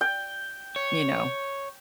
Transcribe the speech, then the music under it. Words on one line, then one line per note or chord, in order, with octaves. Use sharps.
you know,
G5
C#5